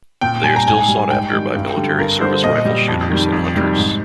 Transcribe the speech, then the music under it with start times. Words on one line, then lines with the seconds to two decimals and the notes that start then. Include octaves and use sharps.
They are still sought after by military service rifle shooters and hunters.
0.21 A#2 G5
0.44 G3 G#5
0.56 A#5
0.66 G#2 G#5
0.88 G3
1.11 G#2 G5
1.32 D#3 G3
1.55 G2
1.77 D3 G3
1.99 G2 A#4
2.21 D3 G3 C5
2.44 A#2 D#5
2.65 G3
2.88 F2
3.10 D#3 G3
3.32 F2
3.54 C3 D#3 G3
3.77 G#2